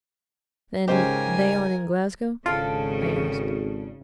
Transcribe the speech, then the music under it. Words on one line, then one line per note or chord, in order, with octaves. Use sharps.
"Then--they aren't in Glasgow?" I asked.
G#2 C#3 F4 G4 A#4 C5 G#5
G#1 C#3 D4 F4 A4